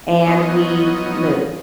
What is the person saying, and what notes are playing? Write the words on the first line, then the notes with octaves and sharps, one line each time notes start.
and we moved.
F3 F#3 B3 D#4 C#5 D#5